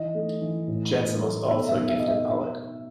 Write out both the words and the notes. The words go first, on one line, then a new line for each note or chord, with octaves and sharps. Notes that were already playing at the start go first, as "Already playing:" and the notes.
Jensen was also a gifted poet.
Already playing: E3 D#5
A3
E3
A2
A2
A3
B2 E5
E5
B2
E5
D#4 D#5
E5
D#4 E5